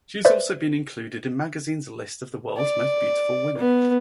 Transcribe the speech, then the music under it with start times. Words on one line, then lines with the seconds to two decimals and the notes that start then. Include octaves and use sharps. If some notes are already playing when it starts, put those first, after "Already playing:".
She has also been included in magazines' lists of the world's most beautiful women.
0.25 B4 C5 D5 E5
2.57 D5
3.58 B3